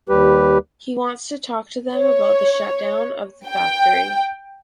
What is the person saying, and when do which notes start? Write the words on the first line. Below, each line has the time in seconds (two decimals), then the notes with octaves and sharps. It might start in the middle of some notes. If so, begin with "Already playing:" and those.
He wants to talk to them about the shutdown of the factory.
0.09 D#2 G3 G4 B4
1.94 C#5
3.47 G5